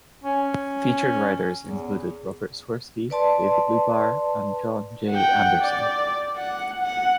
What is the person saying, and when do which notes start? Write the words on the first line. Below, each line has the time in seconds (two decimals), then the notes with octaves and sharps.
Featured writers included Robert Swirsky, David Lubar, and John J. Anderson.
0.24 C#4
1.64 E2
3.10 B4 D5 A5 C6
5.11 F#5 G5
5.62 D5
6.37 F#5
6.83 F#5